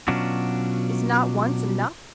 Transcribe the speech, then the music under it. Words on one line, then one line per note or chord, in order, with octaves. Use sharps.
Is not once enough?
B2 F#3 C#4 D4 F4 F#4